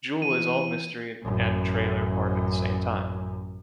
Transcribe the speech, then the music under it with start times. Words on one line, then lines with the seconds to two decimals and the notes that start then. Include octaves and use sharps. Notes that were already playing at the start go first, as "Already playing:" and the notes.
Jewel is all mystery and trailer park at the same time.
0.22 E3 D#7
1.23 A1 F#2